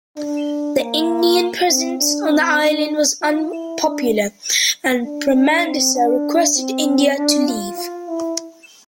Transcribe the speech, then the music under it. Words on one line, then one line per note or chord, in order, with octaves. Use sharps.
The Indian presence on the island was unpopular, and Premadasa requested India to leave.
D4
A#3
C4
D4
C4
D4
F4
E4
D4
D4
D4
C4
D4
C4
D4
F4
F4
E4